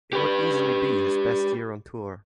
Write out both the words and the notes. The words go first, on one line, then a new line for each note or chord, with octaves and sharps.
It would easily be his best year on tour.
G4 B4